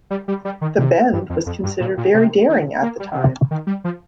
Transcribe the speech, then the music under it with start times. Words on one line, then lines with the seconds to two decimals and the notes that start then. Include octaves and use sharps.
The "bend" was considered very daring at the time.
0.10 G3
0.28 G3
0.45 G3
0.61 D#3
0.78 C3
1.13 G2
1.30 F2
1.46 F2
1.63 G2
1.80 A#2
1.97 A#2
2.14 C3
2.49 D#3
2.82 A#3
3.00 G3
3.12 D#3
3.17 C3
3.51 D#3
3.67 G3
3.84 F3